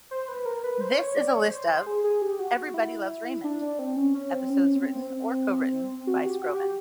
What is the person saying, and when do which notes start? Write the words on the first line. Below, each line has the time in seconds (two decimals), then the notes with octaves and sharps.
This is a list of "Everybody Loves Raymond" episodes written or co-written by Skrovan.
0.11 C5
0.28 B4
0.46 A#4
0.64 B4
0.81 C5
0.98 C#5
1.16 D5
1.34 C#5
1.51 C5
1.69 C5
1.87 G#4
2.04 G#4
2.22 G4
2.39 F#4
2.56 F#4
2.74 E4
3.44 D4
3.61 D4
3.79 C4
3.96 C#4
4.14 C#4
4.32 C4
4.50 C#4
4.76 C4
6.07 F#4
6.25 G4
6.42 F#4
6.54 G4